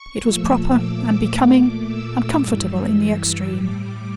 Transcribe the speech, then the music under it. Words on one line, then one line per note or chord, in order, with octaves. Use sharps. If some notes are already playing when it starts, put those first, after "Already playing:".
It was proper, and becoming, and comfortable in the extreme.
Already playing: C#6
A#2 F3 A3 E6
D6
A#2 A3
E6
G2 E3 G3 E6
A2 G3 D6